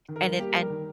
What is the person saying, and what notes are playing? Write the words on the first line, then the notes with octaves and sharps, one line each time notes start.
and it and
D#3
A#4
G2
A#3 G4
G2
A#4
D#3